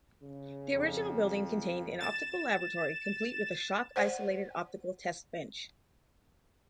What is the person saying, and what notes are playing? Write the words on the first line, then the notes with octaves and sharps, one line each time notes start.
The original building contained an optical laboratory complete with a shock-isolated optical test bench.
C#3
F2
A6 E7
C5 D5 F#5